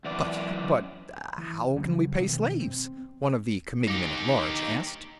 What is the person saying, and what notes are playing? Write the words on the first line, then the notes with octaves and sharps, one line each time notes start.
"But ... but how can we pay slaves?" one of the committeemen-at-large asked.
F#2 E3 D5
E3
C#3 F#3 G3
B2 D#3 F3 A#3
C4
D#4 G4